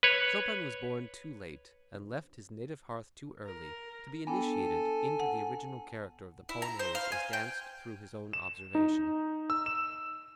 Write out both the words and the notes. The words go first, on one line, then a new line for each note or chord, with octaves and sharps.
Chopin was born too late, and left his native hearth too early, to be initiated into the original character of the Polonaise as danced through his own observation.
B4 C#5
A#4
B3 D4 A4 G5 G#5
F#5
E4
A#5
C5
F5
G#5
G5
E7
D#4
E6
E7